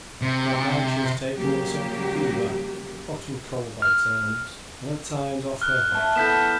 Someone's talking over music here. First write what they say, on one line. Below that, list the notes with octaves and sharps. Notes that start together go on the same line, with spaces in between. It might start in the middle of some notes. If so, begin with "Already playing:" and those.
That night she was taken with a sort of fever, hot and cold by turns, and at times off her head.
C3
C#3 F#3 G3 A#3 G4
F6
F6 F#6
E5 A5 C#6
B3 E4 A4 G6 B6 E7